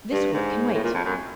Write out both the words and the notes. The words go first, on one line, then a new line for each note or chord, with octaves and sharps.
'This work can wait.
G2
G#2
A2
A#2
F2
F#2